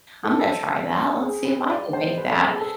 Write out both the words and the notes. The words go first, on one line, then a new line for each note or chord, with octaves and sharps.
I'm gonna try that, let's see if I can make that,"
A4
G#4
B4
D5
C5
B4
A4
G#4
A4